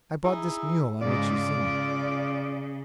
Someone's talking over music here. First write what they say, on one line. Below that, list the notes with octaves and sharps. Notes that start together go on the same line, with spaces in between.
'I bought this mule on which you see me.'
D#4 E4 G#4
G#2 C#3 F4 D5
C#3